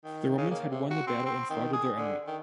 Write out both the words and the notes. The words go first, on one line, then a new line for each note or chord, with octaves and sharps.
The Romans had won the battle and slaughtered their enemy.
D#3
C#3
A#3
C3
F#4
C4
C4
D#3
G#4
D3
D#3